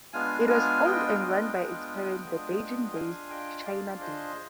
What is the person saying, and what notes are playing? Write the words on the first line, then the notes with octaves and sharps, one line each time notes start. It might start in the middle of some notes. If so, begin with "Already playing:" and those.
It was owned and run by its parent, the Beijing-based China Daily.
G#3 B3 D4 F4 F5 G#5
F5 G#5
G#3 B3 D4 F4 D#5 G5
F5
D#5 G5
G#3 B3 D4 F4
G#3 B3 D4 F4
D4 F4 G#4 F5 G#5
D#5 G5
D4 F4 G#4 D5 F5
C5 D#5